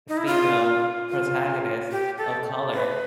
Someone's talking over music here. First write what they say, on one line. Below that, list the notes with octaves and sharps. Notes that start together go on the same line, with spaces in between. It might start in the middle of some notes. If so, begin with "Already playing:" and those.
female protagonist of color,
D#4
E4
F4
F4
G4
A4
B4